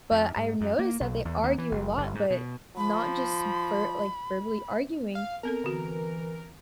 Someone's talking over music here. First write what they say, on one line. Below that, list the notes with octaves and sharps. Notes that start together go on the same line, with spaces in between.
but I noticed that they argue a lot, but not just ver like, verbally arguing,
F2
G#2
F#2
A#3
B1
E2
D#2
E3
F#1
G1
G#2
B2
F3 B5
F5
B3 C4 A4 A#4
D3 E3 F#4